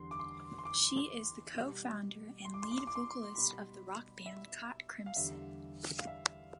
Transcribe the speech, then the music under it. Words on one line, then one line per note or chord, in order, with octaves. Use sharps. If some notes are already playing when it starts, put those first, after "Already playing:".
She is the co-founder and lead vocalist of the rock band Caught Crimson.
Already playing: E2 D3 G3 C6
D6
C6
C6
D6
B2
G3
C6
D6
C6
D6
C6
D6
C6
B2 G3 B5
E5
F5
E2 D3 G3 E5
F5
E5